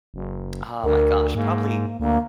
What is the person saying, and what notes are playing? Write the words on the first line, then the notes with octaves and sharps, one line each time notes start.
Oh my gosh. Probably
F#1
D2 A#4
G#2 A#3
D2 A#3